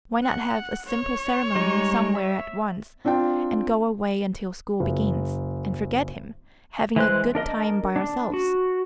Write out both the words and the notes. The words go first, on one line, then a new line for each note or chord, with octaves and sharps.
Why not have a simple ceremony somewhere at once, and go away until school begins, and forget him, having a good time by ourselves?
F#5
C#5
G3 G#3 D#4
E5
C4 D4 F4 G5
F#1
E3 G#3 C5 F#6
D4 A#4 D#5
D4
F#4